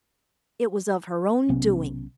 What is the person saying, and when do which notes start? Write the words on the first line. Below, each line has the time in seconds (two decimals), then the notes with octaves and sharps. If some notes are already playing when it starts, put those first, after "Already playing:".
It was of her own doing.
1.49 B1 C3 B3 C#4